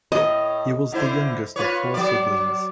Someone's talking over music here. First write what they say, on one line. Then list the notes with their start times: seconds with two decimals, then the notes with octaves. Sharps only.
He was the youngest of four siblings.
0.12 A2 D#5
0.92 D3 E4 C5
1.56 F4 B4 C#5
1.94 F#3 D5